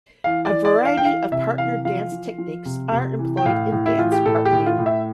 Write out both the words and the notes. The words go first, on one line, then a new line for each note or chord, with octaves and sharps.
A variety of partner dance techniques are employed in dance partnering.
E3 F5
D5
E3
D5
E3
F5
G5
E3 F5
C3 E5
E3 F5
F3 F5
F3
F3
C3
C3
E3
G5
A2 F5
A2
E4
E3 F4
G4
A2 A4
G4
A2
F4
A2
E5